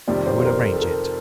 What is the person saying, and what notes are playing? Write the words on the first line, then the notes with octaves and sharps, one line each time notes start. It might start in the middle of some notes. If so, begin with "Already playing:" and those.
'I will arrange it.
F2 C3 D#3 G3 C4 D5
C5
C5
A#4
A4
A4
A#4